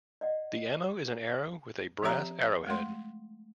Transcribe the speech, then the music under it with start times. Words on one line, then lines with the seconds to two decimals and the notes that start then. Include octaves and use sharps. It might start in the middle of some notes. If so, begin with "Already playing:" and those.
The ammo is an arrow with a brass arrowhead.
0.21 D5 D#5 F#5
2.02 F3 C4 G4 C#5 E5 A#5
2.67 G#3 A3 C6